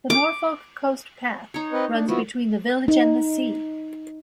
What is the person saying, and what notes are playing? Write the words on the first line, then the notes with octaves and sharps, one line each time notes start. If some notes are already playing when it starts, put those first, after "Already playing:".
The Norfolk Coast Path runs between the village and the sea.
D6
D#4 C#5
C4 B4 D#5
D4
F3 B3 E4 F#4
D#4